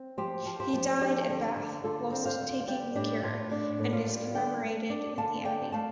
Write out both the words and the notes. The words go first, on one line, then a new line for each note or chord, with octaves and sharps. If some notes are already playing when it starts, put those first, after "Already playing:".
He died at Bath, whilst taking the cure, and is commemorated in the Abbey.
Already playing: C4
F3 G4 C5
F3
G4 C5
F3
C4 D4 G4
D3
D3
D3 F4 A4
C4
C5 F5
D3
F5
G3 D5 G5
A2 D4 G4
A2 F4
A2 D4
A2
F4
G3
D3 D5 G5
A3
D4
D3 F5 A5
D3 D5 G5
A3 F5 A5